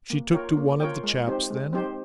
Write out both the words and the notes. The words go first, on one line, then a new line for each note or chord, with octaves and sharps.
'She took to one of the chaps then?'
A#3
F4 A#4 C#5 G5
A#3
F4 A#4 C#5 G5
G#3
C4 D#4 G4 C5
G#3
C4 D#4 G4 C5